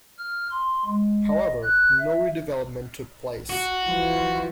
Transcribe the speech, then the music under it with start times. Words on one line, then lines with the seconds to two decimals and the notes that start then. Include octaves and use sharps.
However no redevelopment took place.
0.18 F6
0.51 C6
0.85 G#3
1.28 D#5
1.63 F#6
1.99 E5
3.49 F#4
3.85 E3 F3